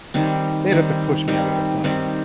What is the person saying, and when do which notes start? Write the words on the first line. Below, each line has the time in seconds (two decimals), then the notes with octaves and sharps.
They'd have to push me out of the plane.
0.14 D#3 G3 C4
0.71 D#3 G3 C4
1.28 D#3 G3 C4
1.84 D#3 G3 C4